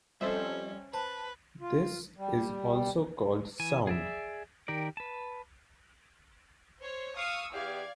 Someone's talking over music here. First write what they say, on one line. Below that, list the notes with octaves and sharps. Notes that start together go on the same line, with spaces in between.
This is also called sound.
F2 G3 C#4 A4 C5 E5
B4 C5 A5
F4
G3
E3 G#5
G#4 D5 E5
D#3 G4 A#4 D5
B4 A5
C5 C#5
F5 C#6 D#6 E6
E2 G4 D5 F5 G#6